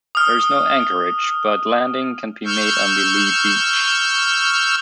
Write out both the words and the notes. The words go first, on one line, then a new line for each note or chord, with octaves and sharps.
There is no anchorage, but landing can be made on the lee beach.
D#6 F6
C#6 E6 F6 G6